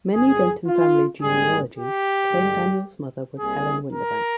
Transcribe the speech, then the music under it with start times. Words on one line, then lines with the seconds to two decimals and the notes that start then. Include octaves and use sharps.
Many Denton family genealogies claim Daniel's mother was Helen Windebank.
0.14 G1 G2 D3 G#4
0.67 F4
1.22 G#1 G#2 G3 A#3 G#4
1.77 G4
2.31 G2 D3 G#3
3.39 C2 C3 G3 A#3 G#4
3.93 A#4